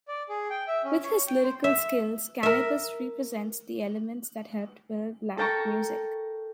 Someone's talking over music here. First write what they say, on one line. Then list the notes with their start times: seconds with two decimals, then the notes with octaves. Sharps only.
With his lyrical skills, Canibus represents the elements that helped build rap music.
0.08 D5
0.29 G#4
0.50 G5
0.68 E5
0.84 C#4
1.03 C#5
1.28 G5
1.43 C5
1.64 E5
2.43 A#4 E5
5.38 A4 A#4 G5 A5 A#5 C#6